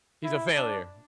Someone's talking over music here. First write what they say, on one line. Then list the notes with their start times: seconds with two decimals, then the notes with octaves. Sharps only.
He's a failure,
0.24 E4
0.55 D4